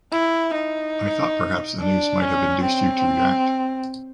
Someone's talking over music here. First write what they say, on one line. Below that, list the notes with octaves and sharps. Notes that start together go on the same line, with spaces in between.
I thought perhaps the news might have induced you to retract.
E4
D#4
D4
C#4
C4